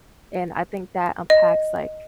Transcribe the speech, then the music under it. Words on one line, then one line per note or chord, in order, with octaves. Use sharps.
And I think that unpacks, like,
D#5